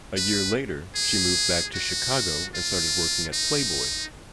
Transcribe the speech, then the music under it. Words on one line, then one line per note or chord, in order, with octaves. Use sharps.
A year later, she moved back to Chicago and started working at "Playboy".
B4
G#4
F#4
F4
D#4